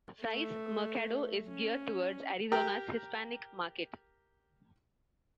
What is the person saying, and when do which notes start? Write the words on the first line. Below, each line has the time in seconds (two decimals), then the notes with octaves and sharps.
Fry's Mercado is geared towards Arizona's Hispanic market.
0.22 A3
1.47 C#4
2.52 G4 A#4 G5